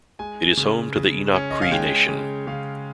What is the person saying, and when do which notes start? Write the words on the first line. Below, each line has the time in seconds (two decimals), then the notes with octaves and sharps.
It is home to the Enoch Cree Nation.
0.19 G#3 G#5
0.57 C#3
0.96 C#3
1.34 C#4
1.50 D#5
1.62 F5
1.71 G#3 G5
2.09 C#3
2.47 C#3 F5